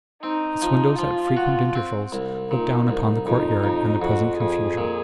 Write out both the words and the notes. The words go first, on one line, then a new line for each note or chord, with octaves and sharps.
Its windows at frequent intervals looked down upon the courtyard and the present confusion.
C4 D#4
F3
F3 F4
F#4
C4
C2
A#2 D#4
C2
F2 D#4
F2
F2 F#4
F2 G#4
A#2